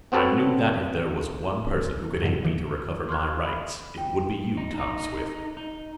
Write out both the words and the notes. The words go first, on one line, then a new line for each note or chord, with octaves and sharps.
I knew that if there was one person who could aid me to recover my rights, it would be you, Tom Swift.
B3 C4 F#4 A4 B4 C#5
F2 G#2 C3 F#3
E3
C6 C#6 F6 F#6 G#6
B5
G5
D#4
D#4
D#4